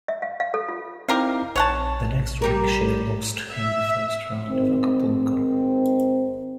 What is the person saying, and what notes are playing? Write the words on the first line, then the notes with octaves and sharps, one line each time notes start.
The next week she lost in the first round of Acapulco.
E5
F5
F5
A4
F4
C4 D#4 E4 G4 A#4 F5
A#1 C#5 F#5 A5
G3 G4 A#4
E5
G#2 D#3 C4